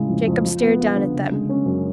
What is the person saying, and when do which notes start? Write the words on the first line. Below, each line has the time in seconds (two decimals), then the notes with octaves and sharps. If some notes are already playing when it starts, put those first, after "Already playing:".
Jacob stared down at them.
Already playing: A2 C#3 G#3
0.09 F2
0.27 F2
0.44 F3
0.62 B3
0.80 F4
0.96 D3
1.14 C#3
1.31 G#3
1.49 C#4
1.66 F#2